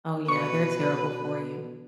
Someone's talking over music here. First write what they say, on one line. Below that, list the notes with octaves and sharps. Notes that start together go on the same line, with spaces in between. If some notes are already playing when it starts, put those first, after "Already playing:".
Oh yeah, they're terrible for you.
B2 B4 C#6 C#7